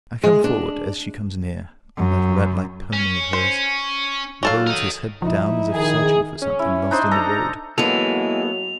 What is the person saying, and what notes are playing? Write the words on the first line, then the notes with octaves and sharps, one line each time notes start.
I come forward as she comes near, on that rat-like pony of hers, who holds his head down as if searching for something lost in the road.
G#3
D4
F#2
C#4
C5
F#3 A4 F5
A#4 D#5
F3 D#4 E4
D#3 G#4
C#4
E4
D4 D#4 C5
A4 A#5
E3 F#3 G#3 A#3 B3 A4 F7